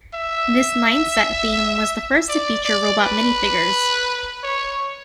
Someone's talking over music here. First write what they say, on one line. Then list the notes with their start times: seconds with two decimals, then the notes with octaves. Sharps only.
This nine-set theme was the first to feature robot minifigures.
0.14 E5
2.29 D5
2.65 D5
3.01 B4
4.43 C#5